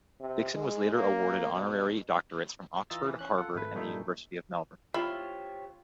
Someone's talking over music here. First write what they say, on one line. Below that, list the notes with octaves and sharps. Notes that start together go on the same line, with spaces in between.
Dixon was later awarded honorary doctorates from Oxford, Harvard, and the University of Melbourne.
C3
G#3
A#3
B2
E3 F4 D#5 A#5 E6 A6
E3
C#4 F#6
F4 A4 F#5
G#1 A3 B4
G2 A#2 A3 D#4 E4
E4 F4 G4 C5 C#5